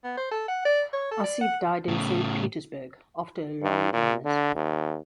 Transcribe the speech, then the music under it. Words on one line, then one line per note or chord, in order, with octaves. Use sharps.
Aseev died in Saint Petersburg after a long illness.
B3
C5
A4
F#5
D5
C#5
A4
D5
F#5
A2 C#3
G2
A#2
D3
D#2